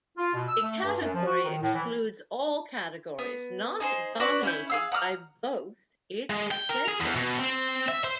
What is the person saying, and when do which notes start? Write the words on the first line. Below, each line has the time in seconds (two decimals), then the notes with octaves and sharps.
A category excludes all categories not dominated by "both" its segments.
0.17 F4
0.34 B2
0.49 E6
0.62 A3
0.82 G2
1.00 F#2
1.14 F3
1.26 F#4
1.44 D#3
1.61 A2
1.74 E3
3.19 B3
3.80 D#4 G#4 C5
4.20 F#4 B4 D5
4.43 C#4 E4 G6
4.70 G#4 F5 E6
4.92 F#5 A#5 D#6 F6
6.30 G#3
6.51 G5
6.69 A#4
6.88 G#4
7.00 E2
7.16 B2
7.39 C4
7.88 E5
8.04 C5